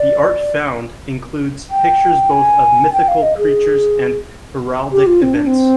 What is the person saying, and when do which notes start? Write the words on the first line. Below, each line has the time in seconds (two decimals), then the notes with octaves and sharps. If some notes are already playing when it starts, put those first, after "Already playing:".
The art found includes pictures both of mythical creatures and heraldic events.
Already playing: D5
1.70 G5
2.31 G#5
2.93 G5
3.08 F5
3.23 D#5
3.38 G#4
4.92 G4
5.07 F4
5.22 C4
5.34 D4
5.47 C4